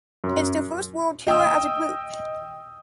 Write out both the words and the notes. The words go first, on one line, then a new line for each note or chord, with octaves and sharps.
It’s their first world tour as a group.
F#2
D#5 G5 D#6 E6